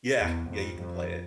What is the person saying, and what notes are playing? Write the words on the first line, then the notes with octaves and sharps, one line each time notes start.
Yeah, yeah, you can play it.
E2
F2
F2